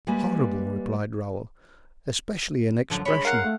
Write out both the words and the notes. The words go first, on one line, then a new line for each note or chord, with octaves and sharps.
"Horrible!" replied Raoul, "especially in expression."
G3 G#3 A#3 B4 G#5
F#2 D3 F3
G#3 C#5 B5
A#4 F5 F#5
A3